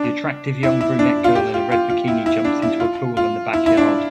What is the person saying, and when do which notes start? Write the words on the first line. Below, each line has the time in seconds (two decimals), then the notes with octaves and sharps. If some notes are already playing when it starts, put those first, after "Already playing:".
The attractive young brunette girl in a red bikini jumps into a pool in the backyard.
Already playing: D4
0.63 E4
0.81 E4
0.99 D4
1.24 F4
1.35 G4
1.54 F4
1.72 F4
1.90 F4
2.08 E4
2.26 E4
2.45 D4
2.62 E4
2.80 F4
3.17 F4
3.53 E4
3.66 E4
3.77 D4